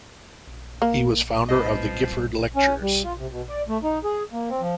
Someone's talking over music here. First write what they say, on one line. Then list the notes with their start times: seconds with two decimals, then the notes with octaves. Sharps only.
He was founder of the Gifford Lectures.
0.82 A#3
1.48 F#1 C2 A2 F3 B4 D#5
2.56 C#4
2.81 G3
3.04 F4
3.18 C3
3.31 B2
3.49 D5
3.69 A3
3.83 D#4
4.04 G#4
4.33 A#3
4.49 C4
4.61 F3